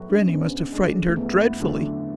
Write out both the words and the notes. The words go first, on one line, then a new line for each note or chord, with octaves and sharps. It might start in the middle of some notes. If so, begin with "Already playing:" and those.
Grannie must have frightened her dreadfully.
Already playing: A2 F#3 B3 F#4 A4
D4
C#4
G#2 B3
G#3 D4 A4
A3
E2 B3
D3 F#3 A3 D4